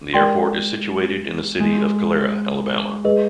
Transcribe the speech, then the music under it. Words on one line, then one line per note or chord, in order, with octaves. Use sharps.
The airport is situated in the city of Calera, Alabama.
G#3 A#4 D5 G5 C6
G#3
G#3 G#4 B4 D#5